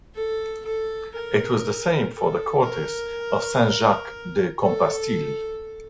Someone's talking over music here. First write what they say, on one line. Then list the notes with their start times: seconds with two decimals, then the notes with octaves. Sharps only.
It was the same for the Cortes of Saint-Jacques-de-Compostelle.
0.15 A4
0.65 A4
1.15 A#4
2.15 A4
2.64 A#4
4.63 A4